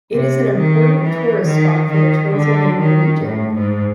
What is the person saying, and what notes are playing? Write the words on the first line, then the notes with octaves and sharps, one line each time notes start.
It is an important tourist spot for the Transylvania region.
C3
D#3
E3
D#3
D#3
D3
D#3
A2
G#2